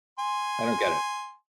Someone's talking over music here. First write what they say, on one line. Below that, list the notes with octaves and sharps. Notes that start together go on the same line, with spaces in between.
I don't get it.
G#5 C6